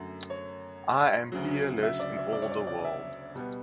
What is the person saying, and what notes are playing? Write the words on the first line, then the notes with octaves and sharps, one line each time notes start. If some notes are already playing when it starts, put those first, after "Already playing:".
I am peerless in all the world!
Already playing: F#2 D3 F#3 A3
C#5
D2 C#3 F#3
E5
D5
E5
D5
C#5
D5
D5
D5
E5
B2 G3 B3